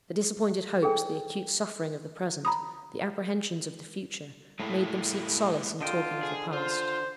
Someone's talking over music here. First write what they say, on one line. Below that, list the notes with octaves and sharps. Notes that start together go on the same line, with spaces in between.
The disappointed hopes, the acute suffering of the present, the apprehensions of the future, made them seek solace in talking of the past.
G#4 A4 G5 G#5
A#5 B5 D#6
A2 G#3 A#3 E4
D3 F4 D#5 G5
G#4
F4 C5